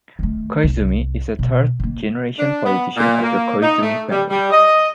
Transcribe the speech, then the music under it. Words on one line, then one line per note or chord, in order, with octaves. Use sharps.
Koizumi is a third-generation politician of the Koizumi family.
D#3 A3
C2
B2
D#3 A#3
D4
B3
A#2
A#3
D#4
A3
G3
G3
D#5